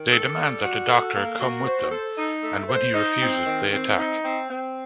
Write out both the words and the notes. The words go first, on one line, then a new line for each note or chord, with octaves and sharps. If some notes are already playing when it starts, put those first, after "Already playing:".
They demand that the Doctor come with them, and when he refuses they attack.
Already playing: D#3
A4
G3
F#4
A4
A#3
F#4
C5
A4
D#4
A3
C5
D#4
C4
D#3
C4
D#4
C4
C4